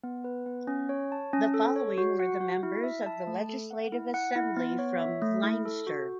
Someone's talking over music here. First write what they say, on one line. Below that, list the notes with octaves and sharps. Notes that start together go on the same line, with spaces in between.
The following were the members of the Legislative Assembly from Leinster.
B3
B4
B3
C#4
C#5
A5
C#4
A4
C#5
F#4
F#5
F#4
E4
E5
A5
A3
A4
F#5
E4
F#5
E4
B3
C#5
E5
A3
E4
A4
F#4